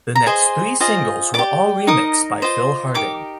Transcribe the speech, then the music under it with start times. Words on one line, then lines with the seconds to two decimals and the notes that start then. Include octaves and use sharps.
The next three singles were all remixed by Phil Harding.
0.15 A#5
0.26 G#4 C5 D#5 C6
0.80 F4 G#4 C5 D#5
1.34 G4 D5 D6
1.87 D#4 A#4 D#5 D#6
2.42 F4 C5 D#5
2.94 D#4 G4 A#4 D6